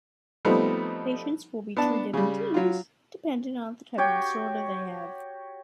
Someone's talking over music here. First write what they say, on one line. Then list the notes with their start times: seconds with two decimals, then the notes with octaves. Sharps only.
Patients will be treated in teams, depending on the type of disorder they have.
0.45 F3 G3 A3 B3 C4 D#4
1.77 B3 D4 A5
2.13 C#3 G3
2.54 F#3 F4
3.98 F#4 G4 C#5 G5